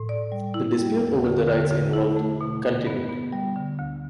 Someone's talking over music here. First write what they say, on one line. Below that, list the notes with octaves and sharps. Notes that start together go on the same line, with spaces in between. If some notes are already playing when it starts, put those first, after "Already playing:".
The dispute over the rights involved continued.
Already playing: A2
D5
G3
E4
G3
E2
D3
D3
D3
E4
A3
B2
B2
B3
B3
G3
D3
D2